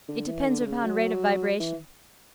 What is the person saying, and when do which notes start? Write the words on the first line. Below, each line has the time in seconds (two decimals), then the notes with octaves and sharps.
It depends upon rate of vibration.
0.08 D3
0.28 E3
0.46 D3
0.60 D3
0.65 C#3
0.84 F#3
1.60 E3